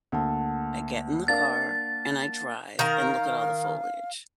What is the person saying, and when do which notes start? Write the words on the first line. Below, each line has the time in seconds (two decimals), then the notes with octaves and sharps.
I get in the car, and I drive, and look at all the foliage.
0.12 D2 A#3 F#5 A5
1.28 D4 A#4 F5 A6
2.79 D#3 A#4 F5